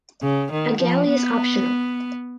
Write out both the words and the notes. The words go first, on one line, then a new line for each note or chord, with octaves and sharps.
A galley is optional.
C#3
D#3
F3
B3